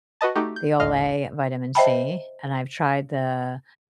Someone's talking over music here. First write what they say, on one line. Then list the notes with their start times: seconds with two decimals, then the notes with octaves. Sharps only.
the Olay Vitamin C, and I've tried the,
0.21 F#4 B4 D#5 A5
0.36 A3 D#4 F#4 G4
0.56 G6
0.80 G#1 D2 A2 D#5 F5 F6
1.75 C5 D#5 E5 G5 A5 B5